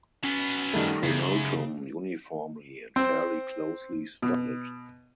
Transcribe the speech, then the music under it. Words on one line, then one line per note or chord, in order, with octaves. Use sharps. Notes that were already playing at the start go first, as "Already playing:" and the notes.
Pronotum uniformly and fairly closely studded.
F#3 B3 C#4
D#3 G3 A3
F#2 C#3
C4
B2